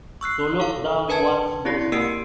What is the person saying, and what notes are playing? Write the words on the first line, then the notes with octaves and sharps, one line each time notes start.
To look down one’s nose at.
C#6 E6 F#6 C7
A4 F5
D4 A#4 B4 G#5 A5 G#6
C4 E4 G4 D5 A#6 C7
A#3 G4 A#4 E6 C7 D7